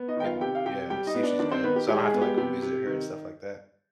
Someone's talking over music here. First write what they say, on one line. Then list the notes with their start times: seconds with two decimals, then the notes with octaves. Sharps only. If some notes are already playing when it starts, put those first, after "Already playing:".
and, yeah, see if she's good. So I don't have to, like, go visit her and stuff like that.
Already playing: B3
0.08 D#4 D#5
0.17 D#3 G5
0.25 F4 F5
0.41 C3 G4 G5
0.55 F5
0.66 C3 G4 G5
0.90 G3 G4 G5
1.07 D#4 D#5
1.15 B3
1.23 D4 D5
1.39 D#3 D4 D5
1.51 C4 C5
1.64 D#3 B3 B4
1.76 G4
1.88 G#3 G4
2.05 G#4
2.13 B3
2.21 G4
2.38 C3 G4
2.62 C3
2.87 D#3